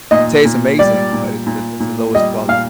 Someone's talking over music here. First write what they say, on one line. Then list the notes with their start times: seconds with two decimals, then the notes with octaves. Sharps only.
tastes amazing, but it's the it's the lowest quality.
0.11 A#2 D#5
0.45 A#2
0.79 G3 D5
1.13 A#2
1.47 A#2
1.80 A#2
2.14 G3 D#5
2.48 A#2 F5